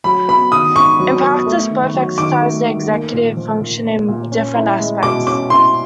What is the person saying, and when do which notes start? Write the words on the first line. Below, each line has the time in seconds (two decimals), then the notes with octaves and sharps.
In practice, both exercised the executive function in different aspects.
0.04 F#3 B5
0.28 B3 B5
0.52 D#3 D#6
0.75 G#2 C#6
1.00 F#3
1.23 B3
1.46 A3
1.70 D#3
1.95 F#3
2.18 D#3 D6
2.42 A3
2.66 D#3
2.90 A#3
3.13 A#2
3.37 F3
3.61 A#2
3.85 A#3
4.08 A#2
4.32 C#4
4.55 E4
4.80 G#3
5.03 B2 D6
5.27 C#4 D6
5.50 E4 C6